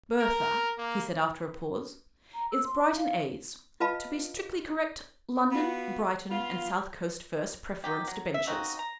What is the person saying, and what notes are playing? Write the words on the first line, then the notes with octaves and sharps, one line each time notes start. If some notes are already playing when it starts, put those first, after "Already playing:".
'Bertha,' he said, after a pause, 'is Brighton A's--to be strictly correct, London, Brighton, and South Coast First Preference Debentures.
A#4
A#3
A#5
E6
C6
F5
F4 B4 D#5 F5 A5 B5
B3 F4 F#4
B3 F4
F#3 D#4 G4
F#3
E5
C#3 C4 D#4 F#4
A#5